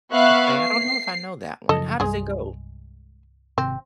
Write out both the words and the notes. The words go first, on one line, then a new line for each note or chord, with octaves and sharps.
Okay, I don't know if I know that one. How does it go?
B3 E5 F5 C#6 F#6
C7
F#2 C#3 F3 A4 D#5
C2 G2 G#3 G#4
G#1 C3 C4